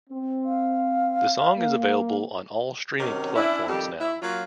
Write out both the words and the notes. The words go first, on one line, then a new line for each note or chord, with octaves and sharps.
The song is available on all streaming platforms now.
C4
F5
A#3
C3 D#3 F#3 C#4 A#4
C#4 D4 E4
F2 D#3 G3 G4 A4
E4
F#3 A#3 C#4 F4